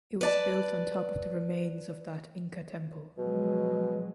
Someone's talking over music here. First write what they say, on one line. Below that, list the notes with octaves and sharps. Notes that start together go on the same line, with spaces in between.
It was built on top of the remains of that Inca temple.
B4 D5 A5
B2 F3 F#3 G#3